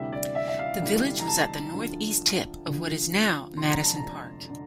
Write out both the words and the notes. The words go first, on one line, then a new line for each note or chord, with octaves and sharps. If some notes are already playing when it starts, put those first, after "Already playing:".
The village was at the northeast tip of what is now Madison Park.
Already playing: D2 C3 E3 G3 E5
D5
E5
E5
F5
D2 C3 E3 G3
A#5
A5
D2 D3 F3
D2 D3 F3
F1 F2 D3 C6
A#5
A5
A#5
D3